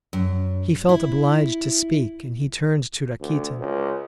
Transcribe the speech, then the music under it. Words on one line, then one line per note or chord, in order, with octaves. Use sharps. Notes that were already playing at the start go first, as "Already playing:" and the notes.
He felt obliged to speak and he turned to Rakitin.
F#2
E4
D2
C#2